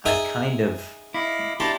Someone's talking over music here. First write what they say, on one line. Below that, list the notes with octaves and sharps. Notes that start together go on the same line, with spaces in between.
I kind of
D#4 G#4 E5
E4 D#5 F5 D6
D4 E4 G4 A5 A#5 C6